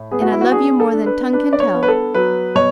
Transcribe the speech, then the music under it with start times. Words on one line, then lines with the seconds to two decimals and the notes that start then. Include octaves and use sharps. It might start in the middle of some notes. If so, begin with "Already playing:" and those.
And I love you more than tongue can tell.
Already playing: A2
0.11 B3 G#4
0.22 F#4
0.32 E4
0.41 F#4
0.52 D4 G#4
0.80 A4
0.93 D4
1.06 B4
1.33 D4 B4
1.53 D5
1.60 C#5
1.75 B3
1.83 B4
1.88 A4
2.15 F#3 B4
2.55 B2 C#5